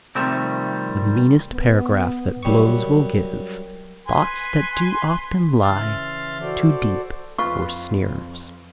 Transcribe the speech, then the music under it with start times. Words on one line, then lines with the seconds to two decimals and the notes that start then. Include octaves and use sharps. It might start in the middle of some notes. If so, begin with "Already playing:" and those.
The meanest paragraph that blows will give Thoughts that do often lie too deep for sneers.
0.16 C3 D#3 F3 G3 A3 C4
1.51 B3
2.43 F#2 G3 C#6
4.08 B4 G#5 C6
5.62 C#3 E3 E5 C6 F6 A6
6.40 F#4 A4 C5 D5
7.38 F2 F4 B4 C#6